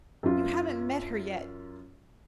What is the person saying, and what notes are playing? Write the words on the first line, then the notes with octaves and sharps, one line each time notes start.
"You haven't met her yet."
F#2 F4